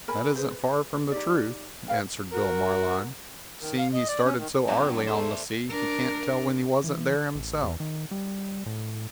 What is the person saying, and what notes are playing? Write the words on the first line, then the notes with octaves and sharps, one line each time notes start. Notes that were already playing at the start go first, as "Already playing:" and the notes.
"That isn't far from the truth," answered Bill Marline, "seein' he started so arly on the sea he can't tell when he wasn't there himself."
A#4 G#5 B5
G#4 B4 C5
D#4 G4 D5
B4 F5 G5
F#4 A#4
D#3
F5
D#5
D5
C#4
D#3
G2 A#2 F#3 C4 D4
E2 A3 A4 C5 D5
D4 A#4
E3
A1
E2
D#3
G3
A2